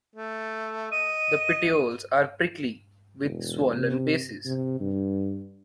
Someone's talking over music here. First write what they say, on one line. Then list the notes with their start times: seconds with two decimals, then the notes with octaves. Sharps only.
The petioles are prickly, with swollen bases.
0.16 A3
0.92 D#5 D#7
3.23 E1
3.77 C3
4.45 C3
4.80 G2